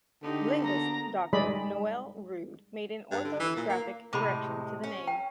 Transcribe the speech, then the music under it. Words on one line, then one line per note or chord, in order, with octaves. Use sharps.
Linguist Doctor Noel Rude made an orthographic correction to the name.
D3 D#4 G4
A#3 B3 A#5
G3 G#3 G#4 D5 D#5 B5
G2
D3
E3
A#2
A#3
A2 C3 G#3 B5 D6
C#4
G5